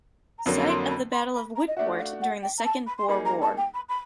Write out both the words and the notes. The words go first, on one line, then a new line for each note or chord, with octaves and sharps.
Site of the Battle of Witpoort during the Second Boer War.
A#5
F2 D3 F#3 A#3 B5
C6
B5
C6
B5
A#5
D#5
A3 D4 F#4 E5
F5
F#5
G5
A#5
A5
B5
C6
G3 A#3 D#4 G#4 B5
A#5
A5
G5
B5
B5